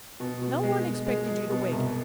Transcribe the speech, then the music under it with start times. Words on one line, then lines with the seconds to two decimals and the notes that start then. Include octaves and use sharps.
No one expected you to wake.
0.20 B2
0.42 B2
0.63 G#3
0.85 G#3
1.06 G#3
1.28 G#3
1.50 B2
1.71 C2